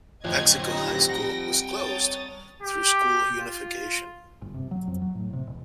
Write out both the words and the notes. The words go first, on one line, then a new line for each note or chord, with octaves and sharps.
Paxico High School was closed through school unification.
F2 A2 D3 D#5 G#6
G3 C4 D#4 A#6
F#5 G5
C#5 A5 D#6 A6
G4
F4
G1
C3
F#3
F2
F#3
A2
C3
E1